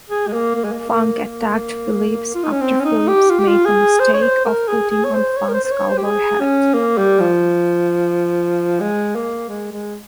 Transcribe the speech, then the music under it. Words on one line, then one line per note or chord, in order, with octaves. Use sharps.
Funk attacked Phillips, after Phillips made the mistake of putting on Funk's cowboy hat.
G#4
G#3
A#3
A#3
G#3
A#3
A#3
A#3
F4
D#4
C#4
C4
C#4
D#4
G4
F4
G4
F4
G#4
C5
C#5
C5
A#4
G#4
G#4
C#5
C5
C#5
A#4
C5
C5
C#5
C5
G4
G#4
C#4
A#3
G3
F3
G#3
A#3
G#3
G#3